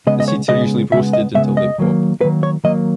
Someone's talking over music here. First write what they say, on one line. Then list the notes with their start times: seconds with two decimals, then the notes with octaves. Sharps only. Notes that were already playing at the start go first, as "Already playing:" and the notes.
The seeds are usually roasted until they pop.
0.07 C#3 G#3 B3 D#5
0.20 D#5
0.28 C#5
0.49 C#3 G#3 B3 D#5
0.92 C#3 G#3 B3 E5
1.13 D#5
1.35 C#3 G#3 B3 E5
1.57 D#5
1.78 D#3 F#3 A#3
2.21 D#3 F#3 A#3 B4
2.43 C#5
2.64 D#3 F#3 A#3 D#5